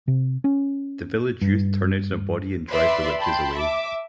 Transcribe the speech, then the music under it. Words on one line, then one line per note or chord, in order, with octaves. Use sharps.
The village youth turn out in a body and drive the witches away.
C3
C#4
G2
B4 D5 E5 B5 C6
G5 A5 B5 C6
E5 D6